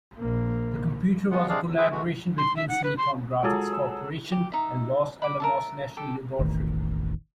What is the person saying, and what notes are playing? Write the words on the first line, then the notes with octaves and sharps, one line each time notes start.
The computer was a collaboration between Silicon Graphics Corporation and Los Alamos National Laboratory.
A#1 A#3
F3 G#3 B3 F4 F#5
C3 G#3 D4 G#4 D5 F5
E2
G#4 B4 C5 E5 G5
E3 G#3 A3 F#4
C6
E5
F#5
B4
C6
F#3 G#3 F4 G#4 A4
E6
G4
D#4 E5
B5 D6
A#4 E5 A5
G4 A4 D6
E1 A1 D#3